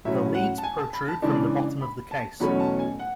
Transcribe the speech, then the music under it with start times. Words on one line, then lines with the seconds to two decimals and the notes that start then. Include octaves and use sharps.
The leads protrude from the bottom of the case.
0.05 A2 F#3 C#4 E5
0.35 F#5
0.58 A5
0.63 G#5
0.78 A5
0.93 B5
1.08 A5
1.22 C#3 E3 G#3 D4 A5
1.81 B5
2.11 A5
2.40 E2 B2 F#3 A3 C#4 B5
2.60 A5
2.79 G#5
3.00 F#5